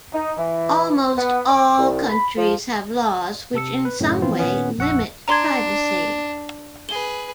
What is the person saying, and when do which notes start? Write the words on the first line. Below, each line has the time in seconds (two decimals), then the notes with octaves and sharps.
Almost all countries have laws which in some way limit privacy.
0.14 D#4
0.37 E3
1.17 B3
1.48 D6
1.77 C2
2.09 B5
2.37 F3
3.54 C3 A5 E6 C#7
3.85 B4
4.00 F#2 A2 C#3
4.22 E3 F3 B3 C4 F4
4.39 A#2 D#3 B3 C#4
4.78 A#1 F2 F#5 C#6 E6
5.28 D4 A#5 C6 G#6
6.89 G#4 B4 G7